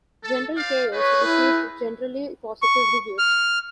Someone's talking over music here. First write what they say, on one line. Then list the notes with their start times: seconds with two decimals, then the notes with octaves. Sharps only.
"General Chaos" received generally positive reviews.
0.22 A4
0.56 C5 D5 F5
0.92 D#4 G#4 B4 C#5
1.24 E4
2.62 C#6
3.19 F6